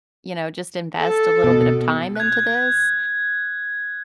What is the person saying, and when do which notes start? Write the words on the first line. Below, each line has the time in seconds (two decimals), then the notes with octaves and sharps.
you know, just invest a little bit of time into this?"
0.98 A4
1.44 B2
2.16 F#6 G#6